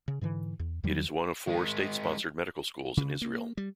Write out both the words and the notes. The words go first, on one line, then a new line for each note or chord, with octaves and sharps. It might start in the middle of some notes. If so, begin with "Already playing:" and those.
It is one of four state-sponsored medical schools in Israel.
C#3
G#2 D3 E3
E2
E2 D#3 F#3 G3
D#3 G#3
C#3
A#3
G3